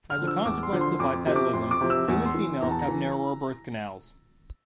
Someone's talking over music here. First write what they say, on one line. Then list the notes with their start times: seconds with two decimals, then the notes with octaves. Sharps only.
As a consequence of bipedalism, human females have narrower birth canals.
0.10 F6
0.18 D3 F3
0.27 E6
0.45 E2 D6
0.63 C6
0.73 D3 F3
0.81 C6
0.99 F2 D6
1.26 C3 F3
1.36 D6
1.53 F2 C6
1.71 D6
1.81 C3 F3
1.90 E6
2.08 E2
2.26 C6
2.34 E3
2.61 E2 A#5
2.71 A5
2.79 A#5
2.88 E3